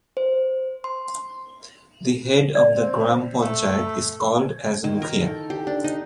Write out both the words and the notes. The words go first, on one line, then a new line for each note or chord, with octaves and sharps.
The head of the Gram Panchayat is called as Mukhiya.
C5
C6
D5
C4
A3
D#3
A#4
A4
G4
D4
D#4